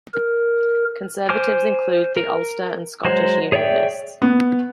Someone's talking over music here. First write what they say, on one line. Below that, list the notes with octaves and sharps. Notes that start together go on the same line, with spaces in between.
Conservatives include the Ulster and Scottish Unionists.
A#4
C5 G#5 D6 F6
A#4
F#3 G#3 C5
G#4 C#5 D5 E5 G5
B3